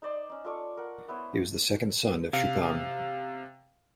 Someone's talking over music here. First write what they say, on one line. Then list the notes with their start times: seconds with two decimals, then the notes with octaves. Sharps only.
He was the second son of Chupan.
0.02 D#4 C5 D5 C6
0.29 C#4 D#4
0.45 F4 A4 D5 C#6
0.77 A#4 F#5
1.08 B3 E4 C5 C#5
2.33 C3 F5